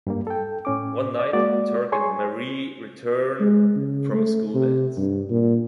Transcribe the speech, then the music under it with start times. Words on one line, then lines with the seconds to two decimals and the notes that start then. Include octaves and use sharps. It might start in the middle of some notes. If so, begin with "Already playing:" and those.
One night, Turk and Marie return from a school dance.
0.07 G2 G3 A#3
0.27 A4 G5
0.65 A2 C#4 D6
1.19 D5
1.33 G#3 A#3 F#4 D5
1.92 G#4 C#5 G#5 C6 C#6
3.40 G#3
3.75 C#3
4.13 A3
4.54 C3
4.97 G2
5.30 A#2